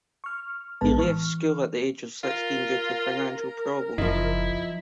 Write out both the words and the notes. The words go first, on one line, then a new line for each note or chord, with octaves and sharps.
He left school at the age of sixteen due to financial problems.
C#6 F6
A#1 A2 G#3 B3 B4 A5
E3 C#6 F6
F4 A#4
F#1 F3 D#4 E4